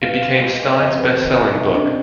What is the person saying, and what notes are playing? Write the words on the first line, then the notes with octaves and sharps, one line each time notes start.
It became Stein's best-selling book.
B2 F5
F4
G#3
C4
F2 D#5
B3 C5
D#3
G#3
C3 D#4
C3 D4